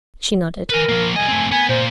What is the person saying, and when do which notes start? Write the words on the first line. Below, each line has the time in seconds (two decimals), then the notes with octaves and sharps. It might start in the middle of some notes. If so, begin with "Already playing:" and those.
She nodded.
0.70 A#4 B4 G#5
0.89 F3 A#3
1.16 G3 D#5 G#5
1.28 A3 C4
1.52 B3 G#5
1.69 A#2 C5